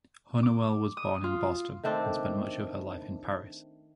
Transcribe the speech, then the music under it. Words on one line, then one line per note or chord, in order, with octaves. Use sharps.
Hunnewell was born in Boston and spent much of her life in Paris.
D6
D#6
F4
D#3 A3 C4 D4